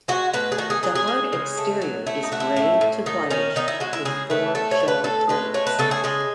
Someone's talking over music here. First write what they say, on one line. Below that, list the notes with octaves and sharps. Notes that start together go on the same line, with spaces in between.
The hard exterior is grey to whitish with four shell plates.
G#3 F#4
A2 B4
G#4
D#3 F#4
G#4
F#3 G#4
G#4
G#3
C#3
A3
F#3
A3 E4
D#4
A3 F#4
E4
A2
A2
D#3 D#4
D#3 C#4
D#3 D#4
E4
G#3 F#4
E4
C#3 G#4
A3 B4
A3 A4
C#5
A3
B4
A2 A4
G#3 B4
A3 C#5
B4
C#3 A4
G#4
G#3 G#4